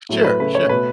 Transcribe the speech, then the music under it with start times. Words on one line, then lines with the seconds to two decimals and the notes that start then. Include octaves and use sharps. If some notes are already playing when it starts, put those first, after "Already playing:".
Sure, sure.
0.09 A2 F#3 A3
0.25 B4
0.40 C#3 A3 B4
0.55 C#5
0.69 B2 A3 B4